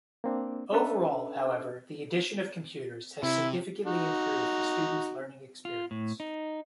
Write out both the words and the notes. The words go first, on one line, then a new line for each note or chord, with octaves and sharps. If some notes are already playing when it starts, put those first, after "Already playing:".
Overall, however, the addition of computers has significantly improved the student's learning experience.
A#3 C4 D4
C#4 D4 A4 B4 E5
C3 E4
D#4 F#4
F4
A2
D#4